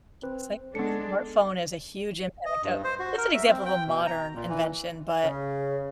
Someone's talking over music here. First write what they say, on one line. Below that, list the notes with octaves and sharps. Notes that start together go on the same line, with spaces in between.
It's like the smartphone is a huge impact o it's an example of a modern invention, but,
C4 B4
G#3 B3 D4 A4 C#7
D#5
G2
C5
F#4
A#4
E5
C4
G5
B2
A#5
A#2
E3
C#3